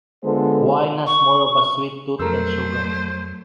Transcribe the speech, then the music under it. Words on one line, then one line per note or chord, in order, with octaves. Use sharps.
Wine has more of a sweet-tooth than sugar.
D3 G#3 B3 F4 A4 C5
C#6
F2 F#3 A3 A4 A#4 C5 E6